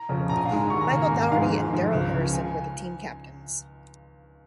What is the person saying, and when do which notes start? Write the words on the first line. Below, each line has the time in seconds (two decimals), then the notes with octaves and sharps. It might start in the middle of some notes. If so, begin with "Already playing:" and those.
Michael Dougherty and Darrell Harrison were the team captains.
Already playing: A#5
0.09 F2 C#3 F3
0.29 A#1 A#5
0.37 G#5
0.45 F5
0.51 G#2 G#3 G#5
0.70 D#2 C#6
0.81 A#5
0.91 C#3 A#3 G#5
1.00 A#5
1.11 G#1 A#5
1.22 G#5
1.32 G#2 F3 G#3 F5
1.42 G#5
1.52 G#1
1.72 G#2 F3 G#3
1.93 C#2
2.13 C#3 F3
2.33 G#5